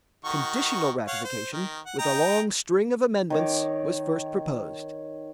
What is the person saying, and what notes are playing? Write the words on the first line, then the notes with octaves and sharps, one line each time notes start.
Conditional ratification, with a long string of amendments, was first proposed.
D#3 F#4 C#6
C#5 F5 F#5
C5
D#3
F#5
D#4 G5 A#5
D#3 C#5 D6